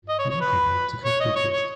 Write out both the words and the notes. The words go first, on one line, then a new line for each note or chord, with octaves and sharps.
You can help to complete it.
D#5
C#5
C#5
B4
C#5
D#5
C#5
C#5